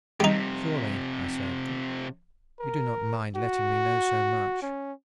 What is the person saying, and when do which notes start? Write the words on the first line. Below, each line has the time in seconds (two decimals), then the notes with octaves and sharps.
"Surely," I said, "you do not mind letting me know so much."
0.20 F2 C3 G3 D#4
2.60 A#4
3.36 F#4
4.62 C#4